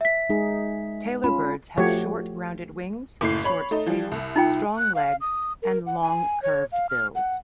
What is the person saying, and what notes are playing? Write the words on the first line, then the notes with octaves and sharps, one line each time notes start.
Tailorbirds have short rounded wings, short tails, strong legs and long curved bills.
E5 B6
G#3 D#4 G#4
C#4 F4 B5
F3 A3 F#4 G4 C#5
F#1 A2 D6 C7
C#5 B5
A3 D#4
E3 F3
C2
D#4 F4 G5
F#6
F5
D#6
A#4
F#5
G#5
C#5
F5
F6
F#5